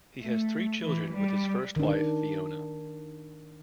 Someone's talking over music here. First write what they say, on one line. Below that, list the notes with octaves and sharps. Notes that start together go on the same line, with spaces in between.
He has three children with his first wife Fiona.
A3
E3
G3
D#3 D4